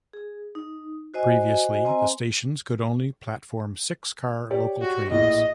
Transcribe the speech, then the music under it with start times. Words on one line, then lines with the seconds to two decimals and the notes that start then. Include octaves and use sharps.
Previously the stations could only platform six car local trains.
0.13 G#4
0.55 D#4
1.14 F#4 C5 D#5 G#5
1.85 C4 C5 D#5 G#5 A#5 C6
4.51 G4 C#5 D5
4.82 F#4
5.11 A#1 A2 D#5